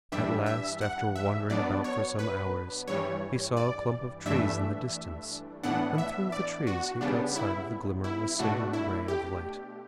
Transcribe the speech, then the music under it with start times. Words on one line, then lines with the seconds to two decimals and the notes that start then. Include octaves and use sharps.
At last, after wandering about for some hours, he saw a clump of trees in the distance, and through the trees he caught sight of the glimmer of a single ray of light.
0.12 G2 E3 G3 D4 E5
0.46 E5
0.81 F#5
1.16 E5
1.50 B2 F#3 B3 D4 D5
1.84 C#5
2.19 B4
2.87 G2 E3 G3 C#5
3.57 D5
4.25 G2 E3 A3 D4 E5
5.63 A2 E3 B3 D4 F#5
5.98 E5
6.32 D5
6.67 F#4
7.01 C#3 G3 B3 D4
7.36 E4
8.04 E4
8.39 B2 A3 D4 F#4
8.73 E4
9.08 G4